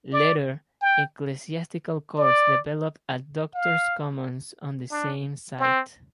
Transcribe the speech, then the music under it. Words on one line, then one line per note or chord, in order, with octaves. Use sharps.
Later, ecclesiastical courts developed at Doctors' Commons on the same site.
D5
G5
D5
F5
D4
C4